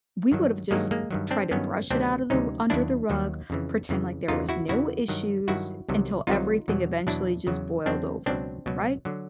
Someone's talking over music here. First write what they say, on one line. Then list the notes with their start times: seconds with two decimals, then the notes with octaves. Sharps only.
we would've just tried to brush it out of the r under the rug, pretend like there was no issues, until everything eventually just boiled over," right?
0.32 G2 D#3 F#3
0.71 G2 D#3 F#3 G#3 A#3
0.91 G#3 A#3
1.11 G2 D#3 F#3
1.31 C4 D4
1.51 G2 D#3 F#3 B3 C#4
1.90 D2 C3 D#3 F#3 C4 D4
2.30 D2 C3 D#3 F#3 C#4 D#4
2.70 D#2 D#3 F#3 D4 E4
3.10 D#2 D#3 F#3
3.50 F2 C#3 E3
3.89 F2 C#3 E3
4.28 E2 C#3 E3 D#4 F4
4.49 E4 F#4
4.68 E2 C#3 E3 E4 F#4
5.08 G2 D#3 F#3
5.48 G2 D#3 F#3 E4 F#4
5.89 C2 C3 D#3 F#3
6.27 C2 C3 D#3 F#3 D#4 F4
6.68 E2 B2 F#3
7.07 E2 B2 F#3 D4 E4
7.47 E2 C#3 F#3
7.86 E2 C#3 F#3 C4 D4
8.26 C#2 B2 F#3 C4 D4
8.66 C#2 B2 F#3
9.05 D3 F#3